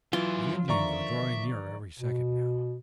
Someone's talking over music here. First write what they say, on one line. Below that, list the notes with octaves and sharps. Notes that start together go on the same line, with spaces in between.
The Indians were drawing nearer every second now.
E3 F#3 F4 E5
D3 D#3 F3 D5 E5 A#5 C#6
B2